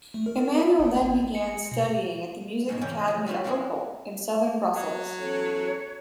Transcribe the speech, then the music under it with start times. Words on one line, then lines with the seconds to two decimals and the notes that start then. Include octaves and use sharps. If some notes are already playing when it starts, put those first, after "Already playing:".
Emmanuel then began studying at the "Music Academy of Uccle" in Southern Brussels.
0.14 A3
0.26 A#4
0.59 E5
0.79 G1
1.01 G#1
1.35 C#7
1.72 B2
2.69 G#2 B2 G#3
2.81 E2 C#3 C#4 G#4 C#5 G5
3.08 F3 F#3
3.26 G3 F4 F#4 E5
3.44 A#3 B3 C#4 E4 F#4 G#4
4.75 F#3
5.19 E2 C#4 A4 C#5